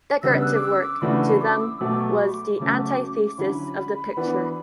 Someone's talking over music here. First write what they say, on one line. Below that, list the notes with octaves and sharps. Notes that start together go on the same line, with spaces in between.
Decorative work, to them, was the "antithesis of the picture".
C#3 G3 B3 D4 E6
F#6
D6
E6
D6
C#3 E3 A3 D4 F#4 B5
D6
E6
B2 F#3 A3 D6
C#6
B5
D6
D6
C#3 F#3 A3 C#4 F#4
D3 F#3 C#4 E4 B5
E3 B3 D4 F#4